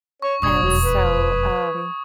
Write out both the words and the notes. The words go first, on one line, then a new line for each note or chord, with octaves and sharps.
And so, um,
C#5 C#6
F1 A#2 D4 C#6 D#6 G#6
E1 F2 F#3
B4